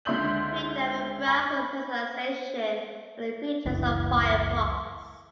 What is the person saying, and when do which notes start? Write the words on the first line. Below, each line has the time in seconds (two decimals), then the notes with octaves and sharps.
Freedom and browser personalization are the features of Firefox.
0.05 C#2 D3 E5 C6 G6 F#7
1.27 B5
3.65 F#1 C#2 E3